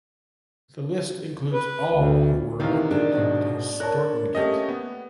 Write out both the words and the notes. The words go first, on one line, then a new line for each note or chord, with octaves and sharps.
The list includes all who were elected to Stortinget.
B4
D2
C3 D#3 E3 F5 A#5 F6
D4 G#4
G#2 B2
A#4 C#5 A5 F#6
A3 A#3 C#4 G4 D#5
B3